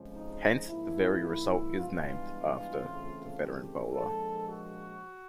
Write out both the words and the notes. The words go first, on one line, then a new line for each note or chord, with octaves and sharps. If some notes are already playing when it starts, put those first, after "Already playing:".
Hence, the very result is named after the veteran bowler.
Already playing: F2 C#3 F3 G#3
D#4
G#2 F3 A#3 E4
G2 E3 G#3 B3 F4
E2 C#3 E3 A3 C4
G4
A#1 A#2 F3 G#3 A4
F#4